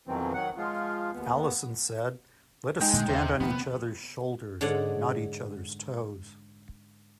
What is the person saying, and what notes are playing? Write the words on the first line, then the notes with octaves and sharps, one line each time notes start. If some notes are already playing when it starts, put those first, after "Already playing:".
Allison said, Let us stand on each others' shoulders; not each others' toes.
F2 B2 D#3 E3 F#3 C4
D#3 F#3 F#5
F3 G#3 F4
D#2 B3
G#3 D#4 G5 G6
A#2 D3
D#2 C5 E5
C3 F3 A#3 B3
G#2 D3 C#5 D5 F#5